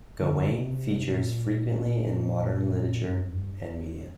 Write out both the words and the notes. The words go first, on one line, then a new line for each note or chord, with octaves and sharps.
Gawain features frequently in modern literature and media.
D3
C3
A#2
G2
F2
G2